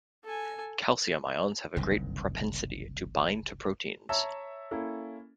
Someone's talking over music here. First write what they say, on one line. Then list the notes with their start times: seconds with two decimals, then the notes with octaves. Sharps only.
Calcium ions have a great propensity to bind to proteins.
0.24 A4 G#5
1.77 F#1 C2 G2 D#3
4.09 C#5 E5 A5 A#5 E6
4.71 A#3 C#4 E4 A4